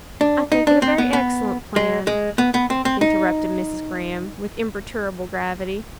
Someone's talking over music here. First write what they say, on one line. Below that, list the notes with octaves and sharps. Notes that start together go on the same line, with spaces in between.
'I think it a very excellent plan,' interrupted Mrs. Graham, with imperturbable gravity.
D4
D#4
D4
C4
B3
B3
G#3
G#3
B3
B3
C4
C4
D#4